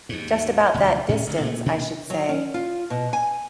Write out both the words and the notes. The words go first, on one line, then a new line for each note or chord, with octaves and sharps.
Just about that distance, I should say.
D#2 G#2
E1 D2
A2 C#4
A1 G2 D3
A#2 C#3 F3 A3
D2 B2 A#3 D4
F#3
C#4
F4
B2
G#5